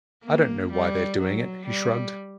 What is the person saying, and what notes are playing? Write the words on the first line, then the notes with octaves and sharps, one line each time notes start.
"I don't know why they're doing it," he shrugged.
A#3
G3
F#3
G3